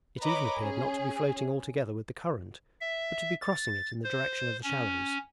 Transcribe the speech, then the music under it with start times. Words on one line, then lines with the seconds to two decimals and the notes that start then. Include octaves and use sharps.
It even appeared not to be floating altogether with the current, but to be crossing it in the direction of the shallows.
0.22 B4 C#5 D#5 A#5 B5 D6
0.58 C#4 G#4
2.80 E5
3.42 A6
4.04 C5
4.64 C#4